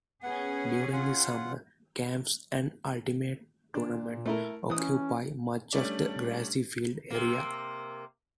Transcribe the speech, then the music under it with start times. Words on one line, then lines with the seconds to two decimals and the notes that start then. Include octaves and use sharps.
During the summer, camps and Ultimate tournaments occupy much of the grassy field area.
0.23 B3 C#4 G#4 F#5
0.93 F4 F#5
3.75 A#2 D4
4.26 A3 E4 A#4
4.70 E3 C#4 D#6
5.73 G3 A3 C#4 D4 D5
7.10 C3 A#3